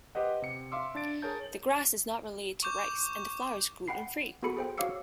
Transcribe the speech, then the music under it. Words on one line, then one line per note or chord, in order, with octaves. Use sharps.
The grass is not related to rice, and the flour is gluten-free.
G4 B4 C5 D#5 F#5
C3 C#7
E5 F5 C6 D6 E6
D4 A5 A6 D7
G#4 A#4 C#5 A5 G6
C#6 D6 G6
F#5 G5 B5 C7
B3 F#4 G#4 A4 B5 C#7
G#4 C5 G5
F#4 C#5 F5 D6 E6 C#7